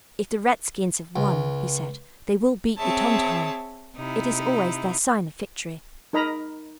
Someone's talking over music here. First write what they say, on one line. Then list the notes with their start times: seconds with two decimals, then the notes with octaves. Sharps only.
'If the redskins have won,' he said, 'they will beat the tom-tom; it is always their sign of victory.'
1.16 C#2
2.78 C4 G#4 C#5 E5 A5
3.95 C3 D#4 E4
6.13 D#4 A#4 D#5 A#5 B5